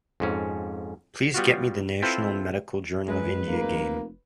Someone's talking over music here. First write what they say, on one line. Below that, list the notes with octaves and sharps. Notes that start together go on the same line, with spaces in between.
Please get me The National Medical Journal of India game.
F2 G#2 C#4
G3 B3 F4 F#4
C4 E4 F4 A4 B4 C5
F#2 G#3 B4
F1 A#3